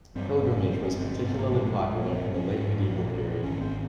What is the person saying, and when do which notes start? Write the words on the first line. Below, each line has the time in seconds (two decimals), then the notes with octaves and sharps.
Pilgrimage was particularly popular in the late medieval period.
0.15 G2 C4
0.43 G1 C4
0.57 C#4
0.70 G2 C4
0.84 C#4
0.97 G1 C4
1.11 C4
1.24 G#2 C4
1.38 A#3
1.52 A#1 G#3
1.66 G#3
1.80 A#1
2.01 A#3
2.06 A#1 C4
2.33 A#1 C#4
2.61 G#2
2.88 A#1
3.15 A#1
3.43 G#1 C#4
3.61 C4